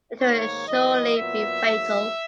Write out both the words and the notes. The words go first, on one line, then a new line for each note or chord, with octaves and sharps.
It will surely be fatal.
G#2 D#3 A#3 C#5
F#2 E3 B3 D#5
A#2 F#3 B3 E5
G#2 F#3 A#3